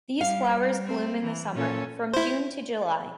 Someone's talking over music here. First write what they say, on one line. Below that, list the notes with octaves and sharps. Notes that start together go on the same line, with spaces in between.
These flowers bloom in the Summer, from June to July.
G3 F5
C4
E3
A#2 C#4 A4
E4 C5